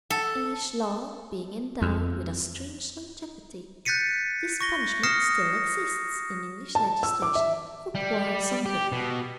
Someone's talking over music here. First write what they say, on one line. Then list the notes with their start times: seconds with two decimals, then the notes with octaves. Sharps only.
English law being endowed with a strange longevity, this punishment still exists in English legislation for quarrelsome women.
0.10 A4
1.82 F2
3.85 F#6 G6 A6 B6 C#7 D#7
4.61 C#6 A#6 G7
5.03 D#6 F6 A#6 C7 C#7 E7
6.75 A5
7.03 E6
7.22 D6
7.35 E5
7.95 G3
8.65 G4
8.92 B2